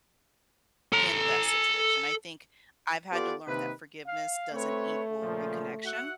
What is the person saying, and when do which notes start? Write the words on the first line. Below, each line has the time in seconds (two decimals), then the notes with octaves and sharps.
handle that situation. I think I've had to learn that forgiveness doesn't equal reconnection.
0.93 A4 A#5
3.12 B3 F4 G4 A4 B4 D5
3.47 C3 D#3 A#3 D#4 B4
4.06 F5
4.54 A3 C4 B4 C#5
5.22 A#2 C#3 F3
5.85 F#4 E5 F#5